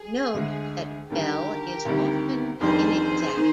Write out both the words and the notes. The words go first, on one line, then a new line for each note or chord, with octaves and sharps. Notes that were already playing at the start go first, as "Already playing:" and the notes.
Note that Bell is often inexact.
Already playing: G#4
D2 D3 G#3
D#2 D3 G3 G4 A#4
D2 C3 D#3 G3
F1 F2 D#3 G3 D4 G#4 C5
D#3